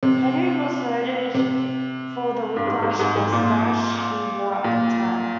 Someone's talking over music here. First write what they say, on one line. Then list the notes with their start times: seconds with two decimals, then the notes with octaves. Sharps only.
Henry was noted for the whiplash mustache he wore at that time.
0.03 C3
1.34 C3
2.56 G2
2.67 G#2
2.82 G#2
2.99 G#2
3.16 G#2
3.32 A#2
4.64 A#2